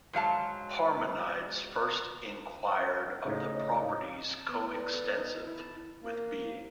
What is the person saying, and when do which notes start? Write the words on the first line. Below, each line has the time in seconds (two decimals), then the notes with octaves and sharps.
Parmenides first inquired of the properties co-extensive with being.
0.13 G#2 F#3 F5 A5
2.79 C#4 G6
3.25 A2 C#3 D#4
3.55 C#5 D#5
4.31 A5
4.48 B3
4.75 D5
4.94 A4
5.17 D#4
5.33 E4
5.47 E4
5.60 A5
6.04 A#3